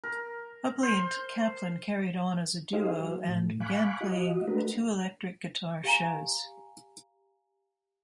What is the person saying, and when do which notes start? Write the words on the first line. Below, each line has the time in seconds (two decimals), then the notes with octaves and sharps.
Hubley and Kaplan carried on as a duo and began playing two-electric-guitar shows.
0.04 A#4
0.83 C5
2.73 D#4 G4 G#4 C5 D#5 F5
3.00 F#3
3.28 A2
3.60 F5 G#5 B5 C#6 D6 F#6
4.01 F4 F#4 D#5
4.47 G#3 A3 D4 F#4 A#4 B4
5.84 G4 F5 G#5 A#5